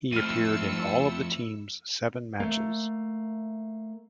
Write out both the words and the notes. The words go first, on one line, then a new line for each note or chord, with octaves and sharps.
He appeared in all of the team's seven matches.
F2 A3 C4 E4 E6 F6 C#7 D#7
A3 A#3